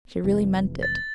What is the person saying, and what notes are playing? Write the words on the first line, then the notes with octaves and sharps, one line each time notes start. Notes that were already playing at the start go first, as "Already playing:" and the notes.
She really meant it.
F1 C3 E3
A6